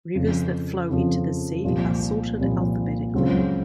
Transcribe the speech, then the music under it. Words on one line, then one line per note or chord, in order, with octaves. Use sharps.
Rivers that flow into the sea are sorted alphabetically.
F2 C#3 F3
F2 C#3 F3
C2 A#2 F3
C2 A#2 F3
C#2 C#3 F#3 C4 F4